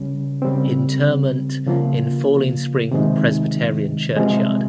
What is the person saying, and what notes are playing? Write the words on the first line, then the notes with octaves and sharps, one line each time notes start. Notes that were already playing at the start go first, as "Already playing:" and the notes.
Interment in Falling Spring Presbyterian Churchyard.
Already playing: C#3 G3 C#4
C#3 G3 C4
C#3 F3 A#3 F4
C3 D#3 G#3 D#4
C3 F3 G#3